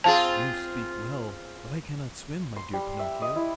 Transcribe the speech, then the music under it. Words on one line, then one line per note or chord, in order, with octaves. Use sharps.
"You speak well, but I cannot swim, my dear Pinocchio."
C4 F4 G#4 F5 A5
C6
G3
E5
D#5
E4